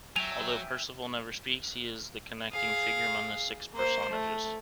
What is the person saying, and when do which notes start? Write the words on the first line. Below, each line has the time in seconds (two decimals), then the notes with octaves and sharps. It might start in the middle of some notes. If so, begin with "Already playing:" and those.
Although Percival never speaks, he is the connecting figure among the six personages.
0.16 F#3 E5 G5 G#5 F7
2.53 G#4 F5
3.73 A#3 C5
4.10 A3